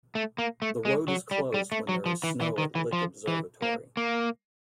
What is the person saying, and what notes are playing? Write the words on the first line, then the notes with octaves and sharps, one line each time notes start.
The road is closed when there is snow at Lick Observatory.
A3
A#3
A3
G#3
F#3
G3
G3
A3
F#3
F3
E3
E3
D#3
E3
F3
E3
A#3
A#3